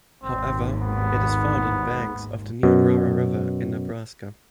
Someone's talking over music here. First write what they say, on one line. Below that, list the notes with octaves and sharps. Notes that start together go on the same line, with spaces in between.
However, it is found on banks of the Niobrara River in Nebraska.
G#1 D#2 G#2 C4
B3
F#2 B2